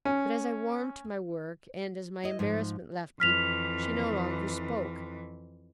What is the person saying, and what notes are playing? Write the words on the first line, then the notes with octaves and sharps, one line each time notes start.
But as I warmed to my work, and as my embarrassment left me, she no longer spoke.
C#4
E4 D#5
G#2 F3
F2 E3 F6 B6 F7